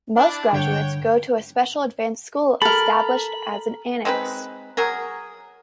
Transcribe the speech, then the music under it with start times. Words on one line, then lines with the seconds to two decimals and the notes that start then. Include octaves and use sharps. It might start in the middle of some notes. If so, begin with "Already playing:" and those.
Most graduates go to a special advanced school established as an annex.
0.16 D4 E4
0.53 G2 D3 C#5 F#5 G5
2.62 A4 A#4 B5
4.05 G#3 C4 D#4 B4
4.77 F#3 G#4 A#4